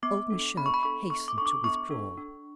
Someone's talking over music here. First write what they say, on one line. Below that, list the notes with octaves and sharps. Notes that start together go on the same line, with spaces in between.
Old Michaud hastened to withdraw.
B3 D6
D4 A4
B3 B5
C#6
B5
D4 A4 C#6
B3 C#6
D6
D4 A4 C#6 D6
B3 C#6
D4 A4
D4